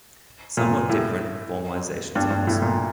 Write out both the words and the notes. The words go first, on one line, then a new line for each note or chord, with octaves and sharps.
Somewhat different formalizations are possible.
A#2
A2
G2
G2
A2
A#2